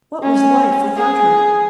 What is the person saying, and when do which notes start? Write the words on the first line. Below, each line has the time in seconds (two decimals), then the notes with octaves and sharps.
What was life without her?
0.23 C#4
0.97 G#4